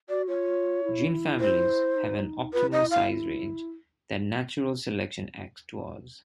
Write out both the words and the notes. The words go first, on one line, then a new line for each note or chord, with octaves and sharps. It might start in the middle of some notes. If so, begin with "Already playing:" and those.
Gene families have an optimal size range that natural selection acts towards.
F#4 D5
F4 C#5
E4
C5
D#4
F4 B4
E4
D#4 D#5
E4
F5